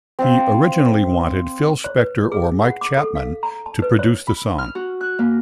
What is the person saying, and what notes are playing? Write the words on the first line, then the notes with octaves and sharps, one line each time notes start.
He originally wanted Phil Spector or Mike Chapman to produce the song.
C4 F5
C#5
B4
G#4
F#5
D6
A4
F5
A#5
A5
B4
C#5
B5
F6
F#4
F#6
A#3